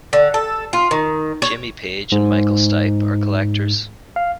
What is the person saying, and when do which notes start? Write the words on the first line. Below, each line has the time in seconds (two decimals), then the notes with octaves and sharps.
Jimmy Page and Michael Stipe are collectors.
0.13 D3
0.34 A4
0.73 F4
0.91 D#3
1.42 C#5
2.12 G#2
4.16 F5